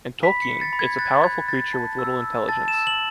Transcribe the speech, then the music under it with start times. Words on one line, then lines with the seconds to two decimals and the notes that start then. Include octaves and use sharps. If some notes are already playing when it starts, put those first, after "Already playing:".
In Tolkien, it’s a powerful creature with little intelligence.
0.23 B5 B6
0.42 C#7
0.48 B5
0.61 A6
0.73 B5
0.79 G#6
0.99 F#6 A6
1.06 G#6
1.15 A6
1.23 B5 G#6
1.48 B5 A6
1.73 A5
1.99 E6
2.23 E6
2.49 A5 A6
2.68 E7
2.74 E6
2.87 F#7